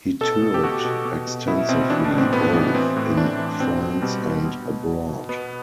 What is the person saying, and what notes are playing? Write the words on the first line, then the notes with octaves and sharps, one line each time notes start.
He toured extensively, both in France and abroad.
B2 A4
B2
G4
B2 F#4
B2
B2
B2
B2 E4
B2 C4
E3 D4
D4
A2
C4
A2 B3
E3 B3
E3 C4
A2
A2 D4
E3
B2 C4
B2
B2 G3
B2
B2
B2
B2
B2
B2 B3